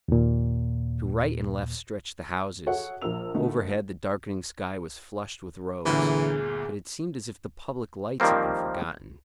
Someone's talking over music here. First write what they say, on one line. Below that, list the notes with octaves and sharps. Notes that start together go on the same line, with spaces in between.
To right and left stretched the houses, overhead the darkening sky was flushed with rose; but it seemed as if the public lights had been forgotten.
D#2 A#2
F#4 G#4 A4 C#5 E5 F#5
A#1 F4 A#4 E6 F7
D3 A3 D#4 F#4 A#4
G1 D2 A#2 D3 E3 G#4
D#3 F3 G3 A#3 C4